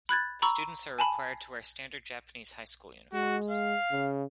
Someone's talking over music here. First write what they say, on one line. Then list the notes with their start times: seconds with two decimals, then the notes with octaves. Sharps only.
The students are required to wear standard Japanese high school uniforms.
0.09 B5 F#6 G#6 A6
0.42 A#5 B5 C#6 E6
0.99 G#5 A5 B5
3.14 G#3 F#4
3.51 F5
3.92 C#3